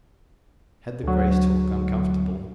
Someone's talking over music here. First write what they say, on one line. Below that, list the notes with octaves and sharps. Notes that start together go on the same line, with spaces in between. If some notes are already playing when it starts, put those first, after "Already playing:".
He had the grace to look uncomfortable.
D2 F#3